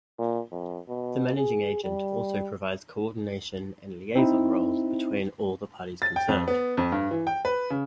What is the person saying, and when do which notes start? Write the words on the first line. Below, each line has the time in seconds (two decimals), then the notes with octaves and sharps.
The managing agent also provides co-ordination and liaison roles between all the parties concerned.
0.19 A#2
0.52 F2
0.89 B2
1.36 G#4
1.84 G3
4.15 C4 D#4 E4
6.02 A6
6.16 G5
6.28 F2
6.48 B3
6.77 F2
6.92 G2
7.11 E3
7.27 G5
7.45 B4
7.70 C#3